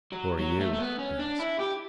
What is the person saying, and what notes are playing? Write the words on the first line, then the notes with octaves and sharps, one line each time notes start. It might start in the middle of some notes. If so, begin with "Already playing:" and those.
"Who are you?" he asked.
F#3
F#3
A3
A3
B3
C#4
D4
E4
G4